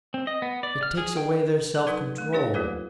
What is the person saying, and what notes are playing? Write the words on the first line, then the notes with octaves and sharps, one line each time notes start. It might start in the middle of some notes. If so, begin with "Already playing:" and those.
It takes away their self-control.
C4
D#5
B3
D5
F6
G#4
G5
A#4
F#3 D#4 A4 B4 F#5
A3
C#4 D#4 G4 C5 C#5 F5
F#3 A3 A#3 F4 A4 B4